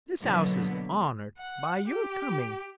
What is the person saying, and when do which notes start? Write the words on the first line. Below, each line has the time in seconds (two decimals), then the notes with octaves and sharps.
"This house is honored by your coming."
0.23 B2 D3 F#3 A#3 B3
1.38 F#5
1.87 G4